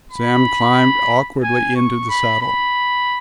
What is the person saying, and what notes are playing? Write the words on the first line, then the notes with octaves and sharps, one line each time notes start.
Sam climbed awkwardly into the saddle.
B5
G#5
C#6
B5
B5